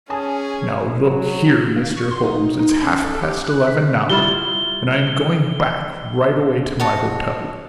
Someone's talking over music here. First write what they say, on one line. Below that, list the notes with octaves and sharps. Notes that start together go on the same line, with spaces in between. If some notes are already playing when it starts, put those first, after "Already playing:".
Now, look here, Mr. Holmes, it's half-past eleven now and I am going back right away to my hotel.
C#4 G#4 G#5 A5 D#6
F#3
A#3
C#6
C6
D#4
D#4
C#4
A4
G4
F#6
B6
G3 E4 F4 G7
F#4 C#5 D#5 A5